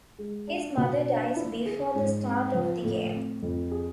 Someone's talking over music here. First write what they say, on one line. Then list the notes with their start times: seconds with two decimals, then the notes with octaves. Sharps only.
His mother dies before the start of the game.
0.19 G#3
0.47 D4
0.77 B2
1.06 D4
1.36 E4
1.66 G#4
1.95 G#2
2.24 C4
2.54 F3
2.84 A2
3.13 C4
3.42 F2
3.71 G#4